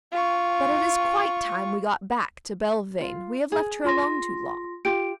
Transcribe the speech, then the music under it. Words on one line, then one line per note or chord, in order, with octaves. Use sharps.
But it is quite time we got back to Belvane; we have left her alone too long.
F4 C#6
F4
G#4
F4 C6 A#6
F4 G4 D7